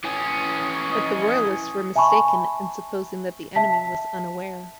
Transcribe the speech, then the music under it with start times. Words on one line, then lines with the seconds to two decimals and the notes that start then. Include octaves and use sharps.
But the Royalists were mistaken in supposing that the enemy was unaware.
0.04 E3 C#4 D#6
0.92 D#5
1.96 E5 G#5 A5 B5 C#6
3.55 E5 A5 B6